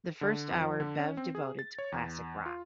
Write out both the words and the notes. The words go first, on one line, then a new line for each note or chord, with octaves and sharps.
The first hour, Bev devoted to classic rock.
D3
F2
F3
D3
C#4
C4
G#4
A6
C#5
E2
F4